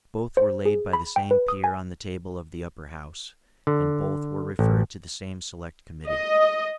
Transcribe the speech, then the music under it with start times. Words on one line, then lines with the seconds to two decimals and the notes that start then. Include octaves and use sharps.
Both were laid by the same peer on the table of the Upper House; and both were referred to the same select committee.
0.37 C5
0.65 G#4
0.93 B5
1.16 G5
1.31 B4
1.48 D#6
1.64 G#5
3.67 D3
4.59 A1
6.09 D#5